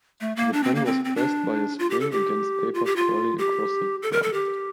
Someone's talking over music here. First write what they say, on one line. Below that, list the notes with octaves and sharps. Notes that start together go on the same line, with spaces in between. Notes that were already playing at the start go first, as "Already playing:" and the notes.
The pen was pressed by a spring against paper scrolling across the drum.
A3
A#3
D4
C4
A#3
C4
C4
D4
F4
G4
A4
G4
F4
G4
F4
G4
A4
A#4
A4
G4